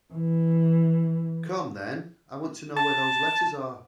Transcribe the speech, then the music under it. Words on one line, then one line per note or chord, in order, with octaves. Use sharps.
Come, then, I want to know where those letters are.
E3
A5